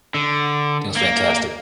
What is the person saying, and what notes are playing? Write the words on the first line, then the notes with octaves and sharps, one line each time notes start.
It was fantastic.
D3
A#3